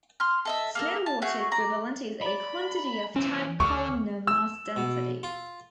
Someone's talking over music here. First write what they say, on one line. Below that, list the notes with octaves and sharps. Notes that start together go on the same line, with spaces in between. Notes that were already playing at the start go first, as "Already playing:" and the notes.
Snow water equivalent is a quantity of type columnar mass density.
C6 F6
A4 D#5 E5
A#3 A4 A#4
A5
A3 F#4 G#4
D5 A#5
D5 A#5 B5
E3 C4 C#4
D2 D3 C#6 D6 F6
E6
B2
F4